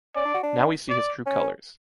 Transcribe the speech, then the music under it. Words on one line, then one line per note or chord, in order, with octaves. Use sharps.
Now we see his true colors.
C#4 D5
D4
F#4
D4
D5
C#4